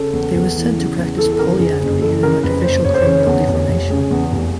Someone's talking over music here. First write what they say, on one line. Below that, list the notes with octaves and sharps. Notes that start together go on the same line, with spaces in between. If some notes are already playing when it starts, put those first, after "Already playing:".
They were said to practice Polyandry and Artificial cranial deformation.
Already playing: C#3 A4
E2
E2
E3
C#3
E2
E3 A4
A4
C#3 A#4
F2 G#4
F#1 G#4
E3 A4
C#3 A#4
F2 B4
F#1 C5
F1 C#5
C5
C#3 C#5
E2
F1
F1
C#3
E2
F1